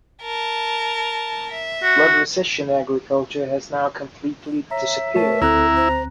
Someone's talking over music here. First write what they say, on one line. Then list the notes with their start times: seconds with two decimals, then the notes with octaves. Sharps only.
Flood recession agriculture has now completely disappeared.
0.23 A#4 A5
1.51 E5
1.83 F#4
4.71 C#5 E5 A#5
5.15 A3 A#4 C#5 A5
5.42 D2 C4 E4 A4 A#5 F#6
5.76 C5